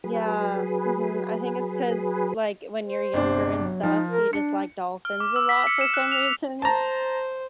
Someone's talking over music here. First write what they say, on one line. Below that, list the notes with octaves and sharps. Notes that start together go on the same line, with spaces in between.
Yeah, mhm, I think it's 'cause, like, when you're younger and stuff, you just like dolphins a lot for some reason,
F#3 G#4 B4
C5
G1 C3 D4
F#3
F3 D#4
A#4
D4 C#7
F6
D6
E6
B6
C#7
E7
F#6
F7
C5 A5 A#5